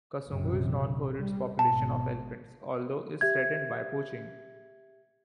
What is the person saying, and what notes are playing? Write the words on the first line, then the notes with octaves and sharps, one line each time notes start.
Kasungu is known for its population of elephants although is threatened by poaching.
A#1 F#2 C3
G3
G#1 B2 A5
G4 E5 G#6